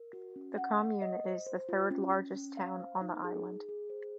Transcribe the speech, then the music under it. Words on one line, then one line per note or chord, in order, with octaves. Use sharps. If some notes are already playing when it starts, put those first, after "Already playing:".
The commune is the third-largest town on the island.
Already playing: A#4
F#4
C#4
F#5
F#5
D#5
C5
C5
F4
C#4
C#4
C#4
F5
C5
D#4
G#4
G#4
G#4
C5